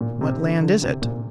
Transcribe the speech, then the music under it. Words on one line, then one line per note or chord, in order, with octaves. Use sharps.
"What land is it?"
A#2
C3
D3
D3
C3
A#2